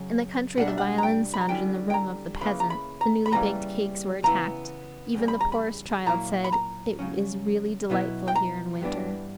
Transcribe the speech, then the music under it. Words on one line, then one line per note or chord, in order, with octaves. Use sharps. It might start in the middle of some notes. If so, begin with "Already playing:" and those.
In the country the violin sounded in the room of the peasant; the newly-baked cakes were attacked; even the poorest child said, "It is really delightful here in winter!"
Already playing: C#3 F#3 C#4
B2 G3 A#3 D4 F#5
E5
F#5
A#5
G5
B5
A#5
D3 G3 C#4 E4 G5
G5
A#5
F#2 C#3 E3 A#3 B5
A#5
B5
A#5
B5
E2 C#3 E3 G3 A#3 A#5
C#3 E3 B3 E4 A#5
E2 C#3 G3
B5
A#5
B5
A#2 F#3 A#3 E4 A#5
B5
A#5
C#3 F#3 C#4
B2 F#3 B3 E4
G5
A#5
G2 E3 B3 D4